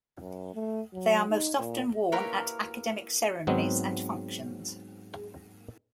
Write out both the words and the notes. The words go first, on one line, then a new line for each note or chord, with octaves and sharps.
They are most often worn at academic ceremonies and functions.
F#2
A3
F#3
D#4
A#2
A#3 E4 G4 A#4 B4 C#5
G#2 F#3 B3 C4